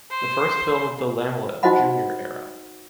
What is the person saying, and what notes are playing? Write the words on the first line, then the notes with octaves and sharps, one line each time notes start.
The first film of the Laemmle Jr. era.
C5
D#4 F#4 C5 D#5 F#5 B5